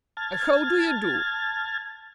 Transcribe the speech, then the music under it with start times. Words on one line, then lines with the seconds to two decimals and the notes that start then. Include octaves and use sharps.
How do you do?
0.17 A5 F6 G#6 A6